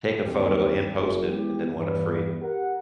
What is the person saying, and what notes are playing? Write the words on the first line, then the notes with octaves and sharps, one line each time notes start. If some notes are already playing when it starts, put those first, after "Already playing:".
Take a photo and post it, and then want it free.
D#2 C4 G4
F#1 F#2
G#3 B3 E4 G4
E2 G2 B4
G4 A#4 F#5